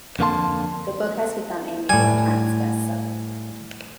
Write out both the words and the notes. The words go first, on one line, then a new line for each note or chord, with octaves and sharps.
The book has become a "New York Times" bestseller.
F2 D3 A#3 F4 A5 C6
A2 G3 G#5